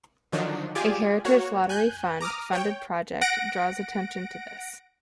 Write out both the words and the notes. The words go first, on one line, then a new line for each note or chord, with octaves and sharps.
A Heritage Lottery Fund funded project draws attention to this.
D3 D#3 F3 F#3 D4 D#4
F4 G4 G#4 D5 G#5 D6
A#3 F#4 C#5
G#5 F#6 G6
A#5 D6 D#6 F6
C#5 G5
F#5 A#6 D7